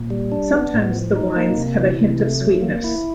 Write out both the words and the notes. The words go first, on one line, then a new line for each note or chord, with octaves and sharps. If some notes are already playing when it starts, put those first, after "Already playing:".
Sometimes the wines have a hint of sweetness.
Already playing: A#2
G3
D4
B3
A2
F3
D#4
A#3
C3
E3
C3
A3
F#3
A#3
E4